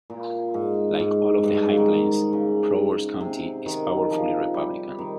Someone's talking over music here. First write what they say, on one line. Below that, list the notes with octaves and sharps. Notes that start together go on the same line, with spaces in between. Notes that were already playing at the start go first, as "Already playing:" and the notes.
Like all of the High Plains, Prowers County is powerfully Republican.
A#2
G#2
G#2
G2
G#2
C#3
D#3
C#3
C3
D#3
F3
G3
D#3